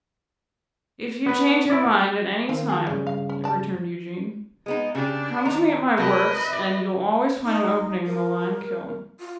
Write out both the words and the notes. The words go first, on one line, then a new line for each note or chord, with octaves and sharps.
'If you change your mind at any time,' returned Eugene, 'come to me at my works, and you'll always find an opening in the lime-kiln.'
B3 B4
E4 D5
D#3 C4 C5 F5
G#4
G2 C#3 G3 C#4
F5
C#4
D5 A5
G#3 B3 D#4
C#3 D4 G4
D#3 A#5
C3 A#4 B4 D#5 A5
E5
D#4
A#4
F4